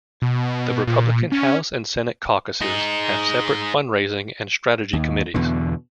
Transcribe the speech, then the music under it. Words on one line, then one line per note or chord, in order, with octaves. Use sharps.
The Republican House and Senate caucuses have separate fundraising and strategy committees.
B2
A#2
C#4
D#4 G#4
D#2
E2 B2 D3